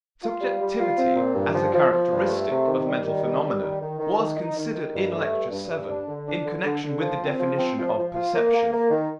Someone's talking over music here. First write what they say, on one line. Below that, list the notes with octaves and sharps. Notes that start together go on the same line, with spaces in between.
Subjectivity, as a characteristic of mental phenomena, was considered in Lecture VII, in connection with the definition of perception.
F4
G3
G3
F4
C4
A#2
G2
F3
F3
F3
G2
A3
C3
D#3
G3
D#3
G3
G3
D#3
D#3
D#3
D#3
D#4
D#3
D#3
G2
A3
G2
G2
G2
D4
D3
D4
D3
D3
D3
F3
C4
F3
C4
F3
F3
F4
A#3
A#3
A#3
D#3